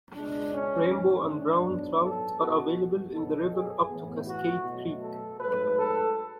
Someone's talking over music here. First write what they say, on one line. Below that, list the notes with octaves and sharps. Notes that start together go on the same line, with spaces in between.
Rainbow and brown trout are available in the river up to Cascade Creek.
C#2 B2 G#3 D4
C#4
G#2 E3 A3 C#4
D4
G#2 F#3 B3
A4
B2 G#3 B3 F#4
B2 F#3 B3 A4
G#4
A2 E3 B3
F#4
B2 F#3 A3
A4
G#2 F#3 A3 B4
A4